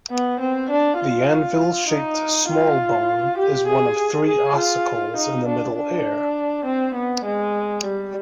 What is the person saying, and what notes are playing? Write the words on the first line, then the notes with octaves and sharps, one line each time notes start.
The anvil-shaped small bone is one of three ossicles in the middle ear.
B3
C4
D4
F4
D#4
F4
G4
G#4
G#4
F4
D#4
D4
D4
C4
B3
G#3
G3